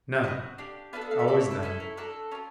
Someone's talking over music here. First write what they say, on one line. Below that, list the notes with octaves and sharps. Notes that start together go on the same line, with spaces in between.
None--always "none."
B3 D4 F#4 D#5
D4 G4 F5
B3 D4 F#4 A4 F5
F#5
F5
E5
C4 E4 A4 D5
C#5
A4
C#4 E4 A4 B4
A#4
D4 F#4 A4 A#4
C#4 F4 A#4